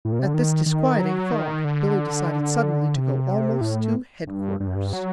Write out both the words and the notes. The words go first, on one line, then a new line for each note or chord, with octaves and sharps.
At this disquieting thought Billy decided, suddenly, to go almost to headquarters.
A2
A#2
C3
D3
D#3
D#3
F#3
D#3
D3
C3
A2
G2
G2
F#2
G2
F#3